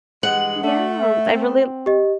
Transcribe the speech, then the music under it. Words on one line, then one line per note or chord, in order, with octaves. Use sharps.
Yeah. I really l
G2 E3 G#3 F#5 F#7
A3 D4
E5
C4
G4 D#5